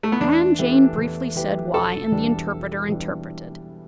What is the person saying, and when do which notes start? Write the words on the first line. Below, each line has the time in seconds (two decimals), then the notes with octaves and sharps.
And Jane briefly said why, and the interpreter interpreted.
0.03 A3
0.12 B3
0.20 E2 D4
0.59 E3 A3 G4 B4
0.98 E2
1.36 E3 A3 G4 B4
1.73 E1 A4
2.12 E2 E3 G3 D4
2.50 E1
2.88 E2 E3 G3 D4